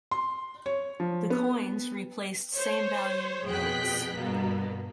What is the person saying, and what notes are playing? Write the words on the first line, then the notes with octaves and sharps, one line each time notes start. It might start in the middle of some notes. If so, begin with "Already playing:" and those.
The coins replaced same value notes.
C6
C#5
F3
B3
C5 C#5
F2 B2 G#4 G5 F#6 B6
G2 B2 A#3 B3